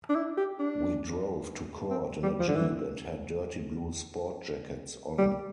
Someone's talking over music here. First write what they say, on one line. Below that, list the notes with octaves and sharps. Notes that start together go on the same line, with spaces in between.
We drove to court in a Jeep and had dirty blue sport jackets on.
D4
E4
G4
D4
C4
G3
F3
D3
E3
G3